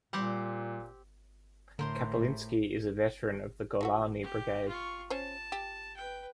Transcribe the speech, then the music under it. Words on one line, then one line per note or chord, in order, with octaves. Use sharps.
Kaplinski is a veteran of the Golani Brigade.
A#2 G3 C4 G4 F#5
A2 D3 A#4 C5 C6
F#3 A3 F#4
G4
F4 C#6
C#4 C5 A5
G4
B4 G5